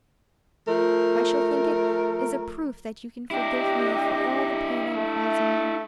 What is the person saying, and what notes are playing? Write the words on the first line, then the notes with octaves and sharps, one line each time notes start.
I shall think it is a proof that you can forgive me for all the pain I am causing you.
F3 A3 A#4
D4 E4 G4 D#5
A3